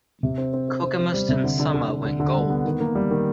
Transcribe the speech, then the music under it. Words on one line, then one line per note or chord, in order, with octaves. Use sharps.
"Kokemusten Summa" went gold.
C3
C4
C4
C4
C4
C4
G3
C3
D3
D3
D3
D3
D3
D3
G3
B3
D#3
A#3
G3
D#3